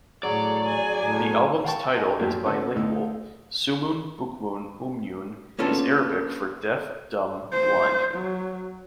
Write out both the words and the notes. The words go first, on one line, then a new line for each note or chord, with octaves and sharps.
The album's title is bilingual: "Summun Bukmun Umyun" is Arabic for "Deaf Dumb Blind".
A2 F#3 F#4 G#4 C#5 D5
G#4 C#5 G#5
A2 A#5
F5 G5 A5 C#6
D#5 G#5
F#2 A#2 F3 F#3 G4
D3 B3 C#4 D4 A4
D2 A2 D#4 E6
A#3 B3 C#4 D4 F4 A4
C5
F#3